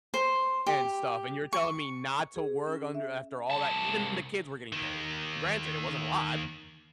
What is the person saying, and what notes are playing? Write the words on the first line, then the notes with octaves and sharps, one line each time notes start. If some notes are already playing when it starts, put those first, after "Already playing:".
and stuff, and you're telling me not to work under after all that. Even the kids were getting paid. Granted, it wasn't a lot,
C5
G4
C#6
G#4
C#4
E5
C2 A5
D#2 D#3